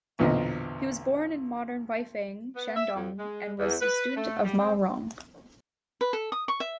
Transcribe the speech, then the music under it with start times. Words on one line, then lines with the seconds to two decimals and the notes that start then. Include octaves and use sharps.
He was born in modern Weifang, Shandong, and was a student of Ma Rong.
0.19 B1 E2 A#2 D3 C4 D#5
2.55 B3
2.76 E5
2.95 F2
3.19 G#3
3.59 E2
3.81 B4
4.16 A3
4.45 G3
4.59 C4
6.01 B4
6.13 A4
6.32 D#6
6.48 C#6
6.60 E5